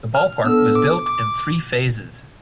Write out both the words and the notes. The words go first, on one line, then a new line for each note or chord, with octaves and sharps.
The ballpark was built in three phases.
F6
B3 D4 A4 E6
D6
D6